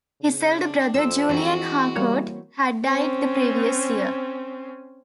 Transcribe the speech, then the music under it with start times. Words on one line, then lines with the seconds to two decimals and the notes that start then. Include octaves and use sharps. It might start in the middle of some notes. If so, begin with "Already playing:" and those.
His elder brother, Julian Harcourt, had died the previous year.
0.21 C#3
0.55 D4
0.94 F2 C5 E6
1.29 E3 G#3 C4 F#4
1.96 G3 A#3 E4 C#5
2.85 C4 C#4